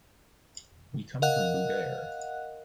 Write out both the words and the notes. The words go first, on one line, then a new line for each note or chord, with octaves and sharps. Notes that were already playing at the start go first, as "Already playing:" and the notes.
We come from Búger.
A#4 D#5 F5 F#5 F#6